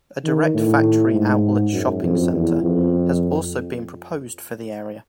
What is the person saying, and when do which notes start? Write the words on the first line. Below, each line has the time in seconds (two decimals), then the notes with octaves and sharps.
A Direct Factory Outlets shopping centre has also been proposed for the area.
0.24 D#3
0.54 A2
1.13 G#2
1.73 F#2
2.03 F2
2.33 E2
2.62 F2